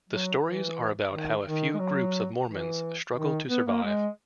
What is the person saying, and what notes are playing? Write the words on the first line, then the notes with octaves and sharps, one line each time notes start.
The stories are about how a few groups of Mormons struggle to survive.
F#3
E3
D#3
D#3
G#3
F#3
E3
D#3
B3
A#3
G#3